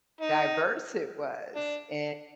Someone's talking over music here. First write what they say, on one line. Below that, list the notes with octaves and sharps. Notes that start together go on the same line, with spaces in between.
diverse it was, and
D#4
D4